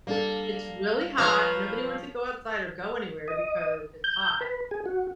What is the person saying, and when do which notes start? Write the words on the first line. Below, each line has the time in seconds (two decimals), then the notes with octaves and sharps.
It's really hot, nobody wants to go outside or go anywhere because it's hot,
0.07 G3 A#3 D4 A4
1.18 F3 A#4 B4 C#5 F5 A#5
3.28 D#5
4.04 G6
4.41 B4
4.71 G#4
4.86 F#4